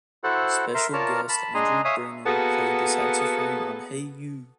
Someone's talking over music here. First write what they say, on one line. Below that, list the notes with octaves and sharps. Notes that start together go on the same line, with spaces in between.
Special guest Andrew Brennan played the saxophone on Hey You!!!
E4 F#4 A4 C5 F#5
A#4 E5 C6
F4 A#4 C#5 D5 A5 A#5
A5 B5
G#3 D4 G#4 G#5 A#5 C6
C#5 E5 F5 G#5 D#6
A#3 B3 F#4 G#4 A4